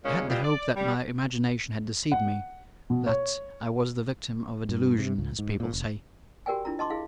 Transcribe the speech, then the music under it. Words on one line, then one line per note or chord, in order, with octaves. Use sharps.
I had the hope that my imagination had deceived me--that I was the victim of a delusion, as people say.
D#2 A#2 C#3 G#3 C#4
E3 G3 D#4 F4
D5
G3
F#5
B2
C#5
G2
C3
C#2
G#2
A#2
F1
F#4 G4 A#4 D5 G5 G#5
D4 E4 F4 A#5
D#5 A5 C6 D6
E4 G#4 F5